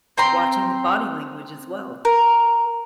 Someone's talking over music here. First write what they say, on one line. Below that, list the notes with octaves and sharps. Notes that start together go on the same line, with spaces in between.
watching the body language as well.
C4 G5 A#5 C6
A#4